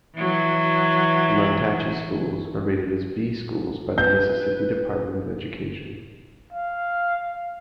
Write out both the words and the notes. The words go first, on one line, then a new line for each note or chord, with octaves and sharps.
The Mantachie Schools are rated as "B" schools by the Mississippi Department of Education.
E3 F#3
B4 G6
F5